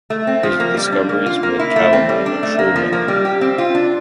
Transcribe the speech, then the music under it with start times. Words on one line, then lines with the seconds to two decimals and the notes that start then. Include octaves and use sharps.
His discoveries made calamine a true mineral.
0.10 A3
0.27 C4
0.43 F3
0.60 A#3
0.77 G3
0.92 D4
1.09 A#3
1.26 F4
1.43 A#3
1.59 E4
1.76 A3
1.93 C4
2.09 G3
2.26 D4
2.43 A3
2.59 A#3
2.76 F3
2.93 A#3
3.08 G3
3.25 G4
3.41 C4
3.58 F4
3.75 D4